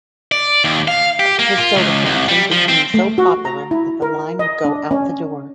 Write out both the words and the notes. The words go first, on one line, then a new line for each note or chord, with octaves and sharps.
His soda fountain became so popular that the line would go out the door.
D5
D#2
F5
G4
A#3
F4
C#2
C2
G3
F3
C4
A3
F#4
A#5
E4
A#4
D#5
D4
C#4